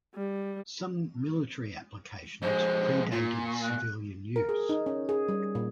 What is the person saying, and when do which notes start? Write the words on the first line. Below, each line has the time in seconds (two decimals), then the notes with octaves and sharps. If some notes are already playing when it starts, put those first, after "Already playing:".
Some military applications pre-dated civilian use.
0.14 G3
2.42 F2 G#3 C5
3.12 A#2 F4
3.47 C#6
3.62 F#6
4.36 A#4
4.49 G#4
4.69 D#4
4.86 C#4
5.09 G#4
5.29 G3
5.55 A#2